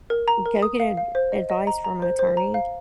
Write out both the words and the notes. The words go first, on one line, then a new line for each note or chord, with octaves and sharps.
go get a advice from an attorney
A#4
A#5
A#4
D#6
F5
F5
C5
D#5
D#5
A#5
A#5
C5
C5
A#5
F5